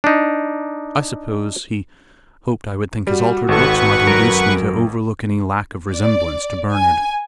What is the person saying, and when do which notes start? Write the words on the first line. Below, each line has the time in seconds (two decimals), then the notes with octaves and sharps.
"I suppose he hoped I would think his altered looks might induce me to overlook any lack of resemblance to Bernard."
0.04 D4 D#4
3.07 G3 F#4
3.49 G#1 A4 B4 F#5 C#6
4.06 F#2 A#4
5.94 D5
6.73 G#5